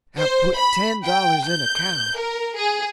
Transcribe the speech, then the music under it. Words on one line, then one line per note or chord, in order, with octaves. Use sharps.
I put ten dollars in a cow.
C5
B5
G5
G6
A#4
G#4